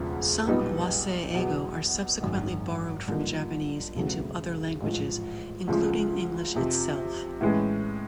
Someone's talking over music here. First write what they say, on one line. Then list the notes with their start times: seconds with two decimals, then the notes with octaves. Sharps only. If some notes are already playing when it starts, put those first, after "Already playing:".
Some "wasei-eigo" are subsequently borrowed from Japanese into other languages, including English itself.
Already playing: E1 D2 C#3 F3
0.47 B1 A#2 G3 B3 D#4
1.34 E2 B2 F#3
2.21 G#1 F#2 D#3
3.08 G2 D3 F3 A#3 D#4
3.94 E1 E2 C#3 F#3 A3
4.81 A1 G#2 F3
5.67 D2 C#3 F3 G#3
6.55 F2 C3 F3
7.41 A2 E3 G#3 C#4